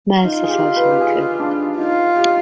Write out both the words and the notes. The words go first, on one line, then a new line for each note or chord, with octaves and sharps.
Mells is also included.
D#4 F4
G#4
G4
B4
G4
G#4
D4
D#4 F4
G4